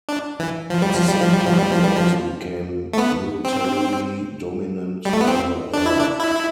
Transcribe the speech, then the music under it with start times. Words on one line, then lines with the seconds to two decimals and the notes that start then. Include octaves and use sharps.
At the same time, they also became militarily dominant over Earth.
0.09 D4
0.39 E3
0.70 F3
0.82 G3
0.95 F3
1.08 G3
1.21 F3
1.33 G3
1.45 F3
1.59 G3
1.72 F3
1.84 G3
1.96 F3
2.93 A3
2.98 B3
3.44 C4
5.05 G3
5.13 A3
5.21 B3
5.27 C4
5.74 D4
5.86 E4
6.00 D4
6.20 E4